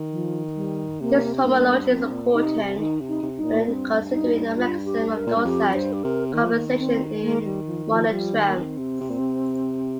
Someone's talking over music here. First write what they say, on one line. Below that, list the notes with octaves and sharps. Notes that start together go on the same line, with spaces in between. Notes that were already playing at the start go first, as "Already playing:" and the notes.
This homology is important when considering the mechanism of dosage compensation in monotremes.
Already playing: D#3
F3
G3
C3 A#3
C4
G2 A#3
F2 C4
G2
A#2
C3 D#4
C3
D#3 D#4
C3
D#4
C3
G2 D#4
A#2
G2 C4
D#4
F4
G4
A#4
A#2
G2
F2 G4
G2 C5
G4
C3 A#4
C4
D#3 A#3
F3
D#3
C4
A#3
G3
F3
F3
F3 G3
D#3
A#3
D#3 C4
C3
C3
A#2
C3